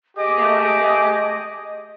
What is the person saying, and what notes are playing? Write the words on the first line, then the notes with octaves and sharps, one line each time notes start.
you know, I don't
G4 G#4 D#5 D6